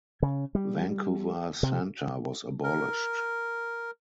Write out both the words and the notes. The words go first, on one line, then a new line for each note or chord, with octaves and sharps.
Vancouver Centre was abolished.
C#3
G3
C3
A#4